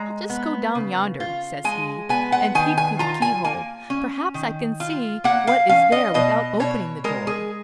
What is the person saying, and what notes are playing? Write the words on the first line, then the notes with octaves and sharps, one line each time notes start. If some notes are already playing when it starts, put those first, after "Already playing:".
"I'll just go down yonder," says he, "and peep through the key-hole; perhaps I can see what is there without opening the door."
Already playing: G#3 A#5
B3
C#3
F4
G#3 G#5
B3 G#5
F#5
D#3 G#5
G#5
F4 A#5
G#5
A#3 G#5
C#4
D#3
F4
A#3 F#5
F5
C#4 F5
D#5
B2 D#5
B2 C#5
G#3 A#4
G#4